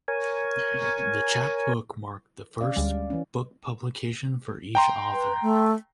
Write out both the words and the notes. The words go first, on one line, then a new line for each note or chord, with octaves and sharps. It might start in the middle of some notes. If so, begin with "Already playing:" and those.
The chapbook marked the first book publication for each author.
A#4 C#5 G#5
C#4 D5 F5
D2 G3 G#3
E3 C#4
G5 A#5 C6
B4
A3